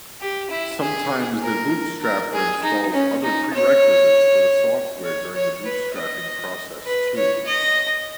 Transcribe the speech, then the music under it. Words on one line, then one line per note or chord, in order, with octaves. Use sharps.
Sometimes the bootstrapper installs other prerequisites for the software during the bootstrapping process too.
G4
E4
G#4
A#4
A#4
G#4
D#4
C#4
D#4
C#5
C#5
C#5
B4
D#5
B4
C#5
D#5